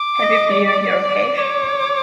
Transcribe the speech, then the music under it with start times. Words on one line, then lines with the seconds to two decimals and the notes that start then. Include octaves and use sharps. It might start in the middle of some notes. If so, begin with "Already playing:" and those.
Have you cleared your cache?
Already playing: D6
0.21 D#5
0.50 D5
1.37 C#5 D6